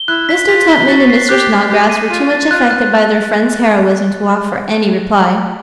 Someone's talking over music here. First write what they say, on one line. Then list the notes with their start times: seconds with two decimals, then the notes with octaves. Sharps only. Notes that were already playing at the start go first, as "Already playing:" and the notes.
Mr. Tupman and Mr. Snodgrass were too much affected by their friend's heroism to offer any reply.
Already playing: G7
0.08 E4 F#6
0.29 B6
0.48 F4 B6
0.69 G7
0.89 F#4 A6
1.10 C7
1.29 G4 F#6
1.49 F#6
1.70 G4 F#6
1.89 D#7
2.10 F4 D#7
2.30 A6
2.51 F4 F#6
2.71 F#6